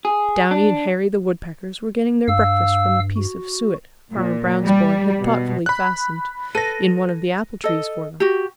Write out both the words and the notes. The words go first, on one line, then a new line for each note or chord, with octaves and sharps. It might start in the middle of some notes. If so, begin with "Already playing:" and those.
Downy and Hairy the Woodpeckers were getting their breakfast from a piece of suet Farmer Brown's boy had thoughtfully fastened in one of the apple-trees for them.
G#4
D4
G2 F5 E6
F#4
A#2
G3
B2
B5 F#6
A4 B4 A#6 D#7
A4 D#5
F#4 G4